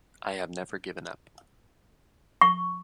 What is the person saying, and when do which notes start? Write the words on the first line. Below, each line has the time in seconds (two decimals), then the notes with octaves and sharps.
I have never given up.
2.41 C#6